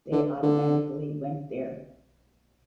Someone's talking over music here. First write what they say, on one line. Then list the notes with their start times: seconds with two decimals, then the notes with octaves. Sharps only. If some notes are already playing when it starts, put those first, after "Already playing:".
They automatically went there.
0.12 D3
0.43 D3